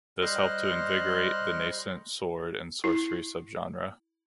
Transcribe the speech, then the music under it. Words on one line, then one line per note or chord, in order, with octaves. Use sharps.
This helped to invigorate the nascent sword and sorcery subgenre.
G3 C5 D#5 C6 F6 F#6
E4